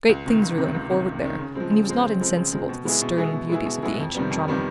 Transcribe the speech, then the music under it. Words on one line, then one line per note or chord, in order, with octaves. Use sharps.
Great things were going forward there, and he was not insensible to the stern beauties of the ancient drama.
C#2
C3 D#3
C#2
C3 D#3
C#2
C3 D#3
C#2
C3 D#3
C#3
F3 G#3 C4
C#3
F3 G#3 C4
C#3
F3 G#3 C4
C#3
F3 G#3 C4
B2
G#3 B3 E4 G#4
B2
G#3 B3 E4 G#4
B2
G#3 B3 E4 G#4
B2
G#3 B3 E4 G#4
F2
C3 D#3 G3 B3
F2
C3 D#3 G3 B3